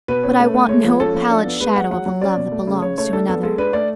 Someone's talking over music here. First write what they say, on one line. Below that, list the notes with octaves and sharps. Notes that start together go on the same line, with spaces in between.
But I want no pallid shadow of the love that belongs to another.
B2 B4
C#4
A3
A3
G#3 C#5
F3
C#4 A4
F3
D4
B3
G#3 B4
G#3 F#5
F#3 F#5
F#3
C#4 D5
B2
A3
C#3
C#3 C#5
A3 C#5
D4 A4
B3 A4
G#3 A4
D4 B4
A3 D5